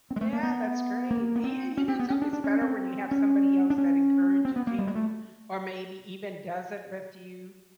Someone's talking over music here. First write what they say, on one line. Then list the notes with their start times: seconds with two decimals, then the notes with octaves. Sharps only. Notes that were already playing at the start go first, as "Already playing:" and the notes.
Yeah, that's great. Y yeah, you know, it's always better when you have somebody else that encourages you or maybe even does it with you.
0.10 C4
0.16 G#3
0.21 A3
0.33 A#3
0.43 B3
1.11 A#3
1.36 B3
1.44 C4
1.77 C#4
1.88 C4
1.99 B3
2.10 C#4
2.22 D4
2.33 D4
2.44 C#4
2.61 C4
3.11 C#4
3.70 D4
3.78 C#4
4.45 C4
4.56 B3
4.67 A#3
4.78 G3
4.87 G#3
4.95 A3